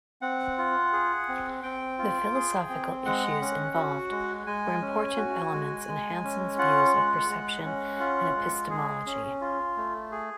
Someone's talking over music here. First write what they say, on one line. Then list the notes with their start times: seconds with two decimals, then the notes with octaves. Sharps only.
The philosophical issues involved were important elements in Hanson's views of perception and epistemology.
0.22 C4 F#5
0.58 F4
0.93 G#4
1.28 C4
1.63 C4 G5
1.98 F4
2.34 G#4
2.70 C4
3.05 G#3 F#5
3.41 C#4
3.76 F#4
4.11 G#3
4.46 G#3 G#5
4.81 C#4
5.17 F#4
5.53 G#3
5.88 G#3
6.24 C#4
6.58 F4 F#5
6.94 G#3
7.29 G#3
7.65 C#4
7.99 F4
8.35 G#3
8.70 G#4
9.06 C#4
9.41 F4
9.77 A3
10.12 G#4